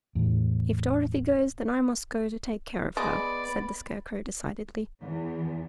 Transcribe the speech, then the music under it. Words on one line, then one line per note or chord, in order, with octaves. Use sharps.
"If Dorothy goes, then I must go to take care of her," said the Scarecrow, decidedly.
E2 A2
G#3 B3 D5 B5
E2